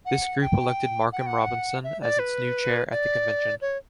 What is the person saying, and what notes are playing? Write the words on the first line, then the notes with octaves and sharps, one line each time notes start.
This group elected Markham Robinson as its new chair at the convention.
F#5
G5
F#5
G5
F#5
E5
D5
B4
D5
C#5